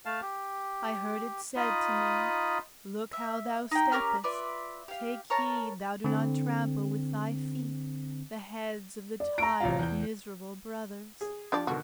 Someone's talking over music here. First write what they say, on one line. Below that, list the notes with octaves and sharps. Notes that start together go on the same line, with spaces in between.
I heard it said to me: "Look how thou steppest! Take heed thou do not trample with thy feet The heads of the tired, miserable brothers!"
A3 F5 A5
G4
D#4 F4 D#5 B5 D#6
E5
D#4 G5
C#4 G4 A#4 F6
F4 B4 D5 E5
G4 F5
A#4 C#5 A5
D3 C4
D5
A#5 D7
A1 C3 F4
E2 G6
G#4
F3 D4 G4 D5
B2 D3 D#3 F#4